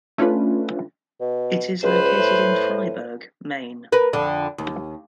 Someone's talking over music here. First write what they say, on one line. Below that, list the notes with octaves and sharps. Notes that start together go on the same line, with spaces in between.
It is located in Fryeburg, Maine.
A3 C#4 D4 F4 B4
B2
C#2 B4 C5
A2
A#4 B4
F2 D3
D#2